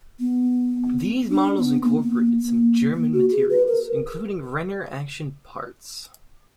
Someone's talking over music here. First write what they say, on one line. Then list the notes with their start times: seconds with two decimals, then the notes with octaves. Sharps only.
These models incorporated some German materials including Renner action parts.
0.20 B3
1.29 D4
1.57 B3
1.84 A#3
2.02 A#3
2.40 A#3
2.94 A#3
3.13 F#4
3.32 G#4
3.50 B4
3.67 A#4